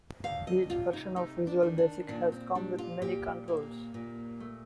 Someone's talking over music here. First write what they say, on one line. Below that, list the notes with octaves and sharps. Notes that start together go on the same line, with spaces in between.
Each version of Visual Basic has come with many controls.
D2 F5
D#5
C3 F4
D#4
A3 D#4
D4
D#3
D4
A#2 D4
C4
G3 D4
F4
A#2 G4
A#3
A#2
A3